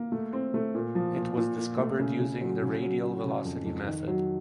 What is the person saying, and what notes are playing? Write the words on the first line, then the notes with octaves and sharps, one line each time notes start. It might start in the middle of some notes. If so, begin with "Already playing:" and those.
It was discovered using the radial velocity method.
Already playing: A#3
A3
C4
A3
A#2
F3
A#2
A#2
A#2
A3
C#3
C#3
F#3
C#3
F#3
F#3
C#3
F2
F2
D#3
F#3